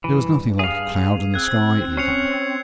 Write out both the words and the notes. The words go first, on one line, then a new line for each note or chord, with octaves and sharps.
There was nothing like a cloud in the sky even.
G2 E3
G#4 F5
C4 E6 F#6 G#6
C#4 C7 C#7 F7